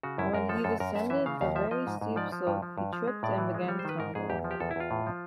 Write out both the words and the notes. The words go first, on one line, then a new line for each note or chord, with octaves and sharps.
When he descended the very steep slope, he tripped and began a tumble.
C#3 F#4
F#2 E4
F#2 A#4
F3 A4
F#2 A4
F#2 A#4
F#2 E5
E3 E5
C#3 F5
D#2 F5
F3 E5
F3 D#5
G#2
G#2
F3 D5
F3
G2
F3
G2
F3
G#3
A2 D5
E3
G#3
G3 C#5
C5
D#3 B4
G#2 A#4
G#2 G#4
E2 G4
F3
G4
E2 A4
E4
E2 F4
A2
F3